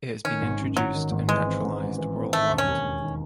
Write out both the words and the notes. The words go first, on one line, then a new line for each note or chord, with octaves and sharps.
It has been introduced and naturalized worldwide.
D#3 C#4
G#1
F#2
G#1 F#3
D#3
G#1
E3 G#3
C4
G#2
A1
E3
C4
D#3 A3
E1
C#4
D#2
E1
D#3